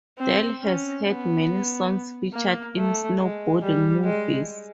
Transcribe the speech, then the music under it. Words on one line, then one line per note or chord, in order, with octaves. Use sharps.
Del has had many songs featured in snowboarding movies.
C4
C#4
B3
A#3
A3
G#3
G3
G#3